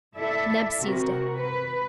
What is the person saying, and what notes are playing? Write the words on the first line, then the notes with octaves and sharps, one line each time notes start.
Neb seized it.
E4 A4 D5 E5
C3 F#4 A#4
B4